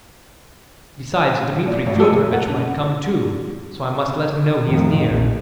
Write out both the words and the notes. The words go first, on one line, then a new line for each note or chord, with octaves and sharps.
Besides, Dmitri Fyodorovitch might come, too, so I must let him know he is near.
A#2
A1
A4
F#1
F#5
C#3
F2 A2 D#3
A#1